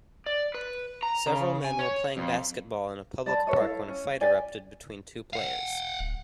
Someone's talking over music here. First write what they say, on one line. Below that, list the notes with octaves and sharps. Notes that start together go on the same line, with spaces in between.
Several men were playing basketball in a public park when a fight erupted between two players.
D5
B4
A#5
C#3
G#5
C#5
F2
D5 A5 B5
A4 B4 C#5 D#5
E4 A4 F5
C#4
G4 D5 G#5
F5 F#5
D1